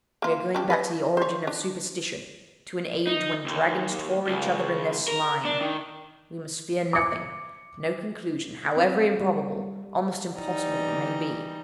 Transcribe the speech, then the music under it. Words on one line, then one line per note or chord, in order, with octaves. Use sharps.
We are going back to the origin of superstition--to an age when dragons tore each other in their slime. We must fear nothing--no conclusion, however improbable, almost impossible it may be.
A#3 F4
C#4 D4 G4
B4 C5 D#5
C5 C#5
D4
D#4
D#2
C#2
A#4
D4
D#3
D6 C#7
C4
G3
E3 G3 D#4